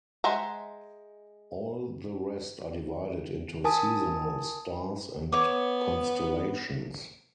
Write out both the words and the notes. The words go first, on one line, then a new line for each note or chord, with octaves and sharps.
All the rest are divided into seasonal stars and constellations.
G#3 C5 E5 F#5 A#5
A#4 G#5 A5 D#6
B3 C#5 D6